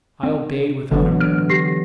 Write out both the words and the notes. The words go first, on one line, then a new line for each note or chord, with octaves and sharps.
I obeyed without a murmur.
C4
G#1 D3 E3 F#3 B3
F6 D7
G4 A#6 C7